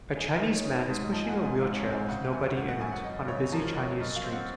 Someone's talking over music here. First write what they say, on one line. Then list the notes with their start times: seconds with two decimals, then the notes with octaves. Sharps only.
A Chinese man is pushing a wheelchair with nobody in it on a busy Chinese street.
0.17 D#4 G#4
0.29 A#4
0.41 D#4
0.53 C#5
0.65 D#4 C#5
0.90 G#2
1.12 F3 D#5
1.24 G#5
1.29 F#5
1.37 G#2
1.45 G#5
1.61 G#2 F5
1.77 C#5
1.85 C4
1.93 G#5
2.09 C#3 F#5
2.33 F#2 G#5
2.56 G#1 F#5
2.68 F#5
2.80 F#2 G#5
2.92 F#5
3.04 G#1 D#5
3.28 C#3 C#5
3.52 F3 A#4
3.76 C#3 C#5
4.00 F#2 D#5
4.16 F5
4.24 C4
4.32 F#5